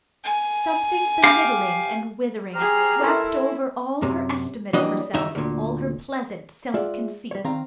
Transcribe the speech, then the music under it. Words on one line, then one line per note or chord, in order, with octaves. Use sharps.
Something belittling and withering swept over all her estimate of herself, all her pleasant self-conceit.
G#5
G4 F5
G4 G#4 C5 A#5 F6
E4 A4 A#4 E5 C6
F#2 C3
E3 F#3 G3 A#3 D4 D#5
C#2 F#2 D#3 D#4 E5
D2 A#2
G#3 F4 D5 E5 F#5
G3 C#5
D#3 C4 F5 A#5